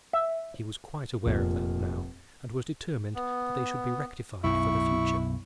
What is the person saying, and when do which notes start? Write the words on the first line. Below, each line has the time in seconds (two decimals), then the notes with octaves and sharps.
He was quite aware of that now, and was determined that they should be rectified for the future.
0.13 E5
1.26 F1 A#2
3.15 B3
4.44 B1 F#2 E4 C#6